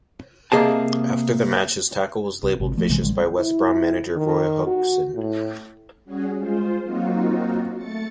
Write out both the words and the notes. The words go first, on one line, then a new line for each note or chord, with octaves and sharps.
After the match his tackle was labelled 'vicious' by West Brom manager Roy Hodgson.
C3 A#3 G#4 D#5 A5
C2
G#1 C3
F3 A3
A#1 C3 E3 G#3
A1 D3 G3 G#3
E4
D#3
F#4
A2
G3 C#4 F#4 G#4
G#3 F4 C5
F#3 A#3 C4 D#4 F4 F#4
A3 A6 C#7